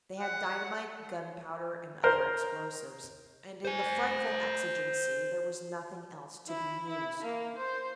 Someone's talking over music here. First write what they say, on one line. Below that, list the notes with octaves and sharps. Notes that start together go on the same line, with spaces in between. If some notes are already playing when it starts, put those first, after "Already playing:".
They had dynamite, gunpowder and other explosives, and in the frightful exigency there was nothing else to be used.
F#5
A#4 C5
C5 G#5
E4
E4
A#3
C5